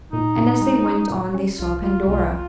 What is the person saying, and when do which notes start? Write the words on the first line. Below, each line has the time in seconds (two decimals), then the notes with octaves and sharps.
And as they went on they saw Pandora.
0.12 A#2 D#4
0.37 A#2
0.62 G#3
0.86 C#4
1.10 A#2
1.34 C#4
1.58 C2 F4
1.83 G#3 F4
2.07 C2 F4
2.33 F4